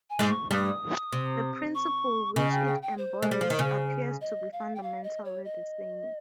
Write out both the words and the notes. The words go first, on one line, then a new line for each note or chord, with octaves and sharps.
The principle which it embodies appears to be fundamentally the same.
G#5
G#2 G#3
C#6
G2 G3 D#6
C3
C#6
C#3 D#5
G5
G5
G5
C5
G#3
G3
F3
D#3
C#3
D#5
F5
G5
F5
D#5
C#5
D#5